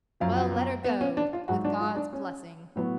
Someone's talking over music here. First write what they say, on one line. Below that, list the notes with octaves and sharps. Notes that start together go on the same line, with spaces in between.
"Well, let her go, with God's blessing!"
F#2 F3 F5
F#4
B3
B3
C#4
D4
F4
G#2 F#3 F#4
D4
F4
D4
C#4
A2 F#3 B3